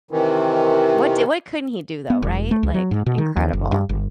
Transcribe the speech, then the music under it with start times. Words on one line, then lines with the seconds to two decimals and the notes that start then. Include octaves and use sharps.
What d what couldn't he do, though, right? Like, incredible.
0.11 C3 D#3 E3
2.10 B3
2.23 E1
2.51 A3
2.63 C#2
2.74 F#3
2.91 G#2
3.06 B2
3.18 D#3
3.37 D#2
3.53 F#1
3.72 G2
3.89 G1